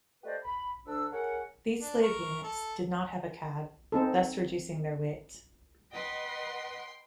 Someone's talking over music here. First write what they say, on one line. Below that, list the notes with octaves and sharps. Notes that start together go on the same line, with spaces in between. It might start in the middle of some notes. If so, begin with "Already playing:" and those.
These slave units did not have a cab, thus reducing their weight.
A3 G4 B4 C5 D5 D#5
B5
D2 D4 E6
G#4 A#4 C#5 F#5
D4
A#4 C#6
A4
C4 D#4 A4
B4 D#5 F#5 G5 C6